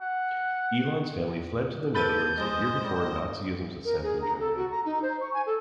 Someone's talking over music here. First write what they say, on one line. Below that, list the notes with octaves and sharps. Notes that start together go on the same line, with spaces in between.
Elon's family fled to the Netherlands a year before Nazism's ascent in Germany.
F#5
A4 B4 G6 A6 D#7
G#3 C5 D#5
G3
A#4
G#4
A#5
A4
F#4
A#5
D#4
C5
C#6
G#5
A4